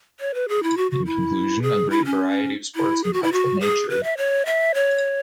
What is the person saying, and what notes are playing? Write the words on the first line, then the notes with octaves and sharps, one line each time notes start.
In conclusion, a great variety of sports in touch with nature.
C#5
B4
G#4
E4
F#4
F#4
E4
G#4
E4
C#4
E4
G#4
F#4
E4
F#4
G#4
B4
E5
C#5
E5
C#5